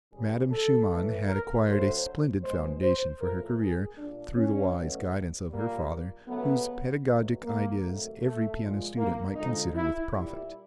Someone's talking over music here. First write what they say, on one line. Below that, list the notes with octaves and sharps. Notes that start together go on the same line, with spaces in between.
Madame Schumann had acquired a splendid foundation for her career through the wise guidance of her father, whose pedagogic ideas every piano student might consider with profit.
C#3 E3 G3 G#4
A4
A2 E3 A3
A#4
D3 F#3 A3 C5
B2 G#3 C5
C5
A2 F3 A3 A#4
G#4
A#2 G3 D4
C#4
B2 F#3 A3
A#2 G3 A#3
C#3 F#3 A3 B3
B2 F#3 A3
A#3
C3 D#3 F#3 A3
A3
A#2 F3 G#3
A#3
D3 F3 G#3 D#4
E4
A#2 G3 E4